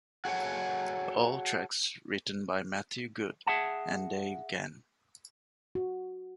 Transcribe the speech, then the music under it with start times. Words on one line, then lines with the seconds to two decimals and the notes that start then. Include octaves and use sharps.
All tracks written by Matthew Good and Dave Genn.
0.25 F#4 G#4 A4 C#5 F#5
3.47 G#4 E5 F#5 A5
5.75 F#4